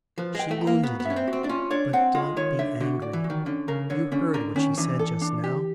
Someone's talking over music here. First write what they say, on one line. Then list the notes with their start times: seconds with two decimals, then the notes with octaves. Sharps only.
She wounded you, but don't be angry. You heard what she said just now?
0.18 F3 B4
0.35 G#3 G5
0.51 A3
0.61 A#5
0.67 A#3
0.83 B3 F#4
1.00 B3
1.05 C#4 E5
1.16 C4
1.28 F#4
1.33 C4
1.44 D4
1.49 C#4 F4
1.71 D4 C#5
1.93 C4 F#5
2.15 G#3 F4
2.37 D#3 C#5
2.59 D3 E5
2.80 D3 F#4
3.02 D5
3.13 E3
3.24 F#4
3.30 D#3
3.46 D3 C#4
3.68 C#3 A#4
3.90 D3 C#5
4.12 D3 C#4
4.34 D3 A#4
4.56 D#3 C#4
4.77 E3 D4
4.99 A4
5.21 D4
5.44 G4